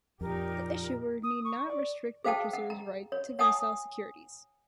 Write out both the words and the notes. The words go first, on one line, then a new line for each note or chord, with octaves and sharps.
The issuer need not restrict purchaser's right to resell securities.
F2 A#2 D#4 G4 A#4
D#6
C#6
D5
G#4 C5 F5 G5 A5
F#5
A#5
C#5
C#5 F#5 G#5 A5 D#6